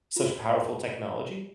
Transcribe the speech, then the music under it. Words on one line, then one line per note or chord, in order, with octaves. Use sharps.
such powerful technology
F4
F#4